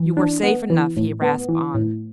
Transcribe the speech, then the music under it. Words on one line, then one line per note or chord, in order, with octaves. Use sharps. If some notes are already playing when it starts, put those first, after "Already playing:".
"You were safe enough," he rasped on.
Already playing: E3
D4
B3
E3
A2
B3
E3
A2